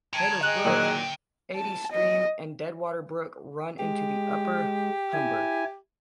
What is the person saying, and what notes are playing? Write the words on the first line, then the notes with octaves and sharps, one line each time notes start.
Taylor's Brook, Aidies Stream and Dead Water Brook run into the upper Humber.
G5 A5 A#5 G#6
G#4 D#5 F#6
A#2 D#3 F#3
A5
D#5
G#3 G4
E4 G#5